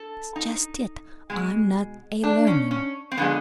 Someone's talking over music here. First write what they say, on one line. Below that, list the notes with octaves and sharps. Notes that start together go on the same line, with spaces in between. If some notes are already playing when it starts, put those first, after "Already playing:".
"That's just it--I'm not a-learnin'!"
Already playing: A4
D#4
B2 G#3
D4
C#4
C#4
C4
D3 F3 G#3 B3